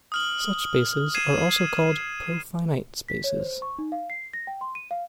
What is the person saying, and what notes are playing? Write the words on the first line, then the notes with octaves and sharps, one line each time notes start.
Such spaces are also called "profinite" spaces.
D#6 F6 F#7
G#6 C7 D#7 E7
B6
C#5
C5
C#6
D#4
F5
C7
A#6
G5
C6
D#7
F5